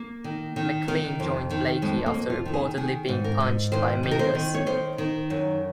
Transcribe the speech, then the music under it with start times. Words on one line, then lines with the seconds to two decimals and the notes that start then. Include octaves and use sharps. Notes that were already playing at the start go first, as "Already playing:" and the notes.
McLean joined Blakey after reportedly being punched by Mingus.
Already playing: A#3
0.24 D#3
0.56 D#3
0.88 D#3
1.20 F2
1.50 D#3
1.82 F2 G#3
2.06 A#3
2.14 F2
2.30 F4
2.46 D#3
2.54 G#4
2.77 D#3 G#4
3.08 G#2
3.24 A#4
3.40 G#2
3.72 D#3 C5
4.03 D#3
4.11 A#4
4.19 C5
4.35 D#3
4.54 C#5
4.66 D#3 C5
4.98 D#3
5.30 F#2